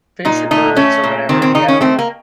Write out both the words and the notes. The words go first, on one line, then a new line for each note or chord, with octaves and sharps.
Fish or birds or whatever, yeah.
A#2 D#4
A3 D#4
A3 C#4
A#2
D#3 C4
C4
D#3 D#4
C#4
A3 C4
A#3